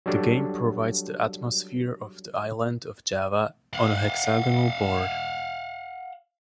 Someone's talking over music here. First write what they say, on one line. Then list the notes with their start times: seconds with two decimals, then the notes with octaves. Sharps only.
The game provides the atmosphere of the island of Java on a hexagonal board.
0.06 F#3 G3 D4 A4
3.73 F5 F#5